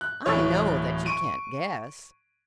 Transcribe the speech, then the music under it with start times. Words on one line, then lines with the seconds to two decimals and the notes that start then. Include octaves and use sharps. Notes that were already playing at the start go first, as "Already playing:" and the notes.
"I know that you can't guess."
0.01 F#6
0.26 D1 A2 E3 C#5
1.06 C#6 D7 D#7